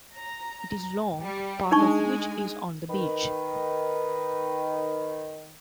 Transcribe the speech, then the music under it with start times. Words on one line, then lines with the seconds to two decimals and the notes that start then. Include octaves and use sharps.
It is long, part of which is on the beach.
0.14 A#5
1.20 G3
1.71 G#3 D4 D#4 G#5 C#6
2.90 D#3 B4